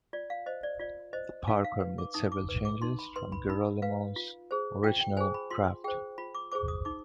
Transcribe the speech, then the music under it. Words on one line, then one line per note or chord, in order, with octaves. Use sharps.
Parker made several changes from Gerolmo's original draft.
F4 D5
F5
C5 D#5
D5
F4 D5
C5 D#5
D#4 F5
F5
B4
D6
D#4 D#6
D6
B4
D6
D#4 C6
B5
B4 C6
B5
D#4 B5
B4 F5
F4
G#4 C5
F4 G5
G5
G#4 C5 G#5
B5
F4 C6
G#4 C5 G5
F4 B5
D6
G#4 C5 D6
D#6
D#4 D6